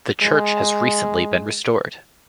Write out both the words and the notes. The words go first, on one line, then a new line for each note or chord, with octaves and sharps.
The church has recently been restored.
G#3